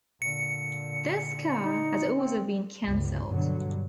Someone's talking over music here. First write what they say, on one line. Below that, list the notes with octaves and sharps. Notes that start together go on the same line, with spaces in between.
This car has also been cancelled.
A#2 D3 C#7
D#4
C4
G1 C#2
G2 B2 D3 F#3